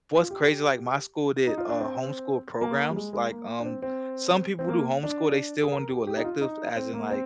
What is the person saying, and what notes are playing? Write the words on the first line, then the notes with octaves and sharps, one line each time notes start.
what's crazy, like, my school did, uh, homeschool programs. Like, um, some people do homeschool, they still wanna do electives as in, like,
F4
G4
G4
D#4
F4
D4
C4
A#3
G3
G#3
G#3
A#3
D4
C4
C4
C4
A#3
D4
G#4
A#4
G4
G4
D#4
F4
D#4
C4
A#3
C4